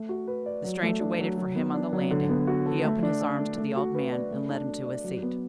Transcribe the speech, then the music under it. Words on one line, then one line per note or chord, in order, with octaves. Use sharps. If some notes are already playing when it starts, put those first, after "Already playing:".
The stranger waited for him on the landing; he opened his arms to the old man, and led him to a seat.
Already playing: A3
F#4
B4
D5
F#3
A3
D4
F#3
F#3
B3
D4
F#3
D3
B3
F#4
A4
A3
D4
A4
A3
A3
F#4
B4
D5
A3
D4
A4
D5
F#3
B3